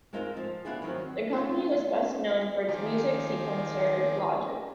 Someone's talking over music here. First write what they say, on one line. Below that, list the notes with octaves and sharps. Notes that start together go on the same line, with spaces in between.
The company was best known for its music sequencer, Logic.
G#3 C4 D#4 F4 A#4 C5
F3
B3 D4 E4 F4 G#4
D#3 F3 F#3 C4
A1 C#4 D#4 F4 C#5
D#3 F3 G4 G#4 A#4